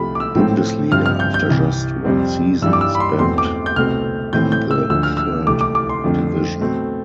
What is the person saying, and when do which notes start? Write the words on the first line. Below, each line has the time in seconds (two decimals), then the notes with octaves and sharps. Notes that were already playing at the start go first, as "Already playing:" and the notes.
Bundesliga after just one season spent in the third division.
Already playing: C2 C3 F3 A3 B5
0.15 D6
0.20 E6
0.35 A2 F3 A3 C4
0.92 G2 F3 C4 F6
1.06 F6
1.20 G6
1.34 G6
1.49 C2 C3 E3
2.05 F2 C3 G3 C4
2.62 G2 E3 G3 E6
2.73 D6
2.81 E6
2.95 B5
3.00 C6
3.19 E2 B2 A3 C4 C6
3.38 D6
3.66 G6
3.76 C2 B2 A3 C4 F6
4.33 A2 E3 A3 C4 G6
4.52 G6
4.71 E6
4.90 D2 D3 F3 E6
5.03 F6
5.17 E6
5.47 C2 C3 E3 A3 D6
5.61 D6
5.75 D6
5.89 C6
6.04 F2 D3 F3 A3 C4
6.61 B2 A3 C4